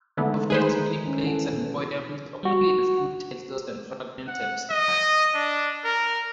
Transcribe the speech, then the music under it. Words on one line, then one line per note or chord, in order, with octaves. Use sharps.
Of his many plays and poems only a few titles and fragments have survived.
D3 E3 G#3 A3 B3 D#4
D#3 D#4 G#4 B4 C5
C#4
E3 A4 F#5
B2
F#4
F#5
D#5
D4
A#4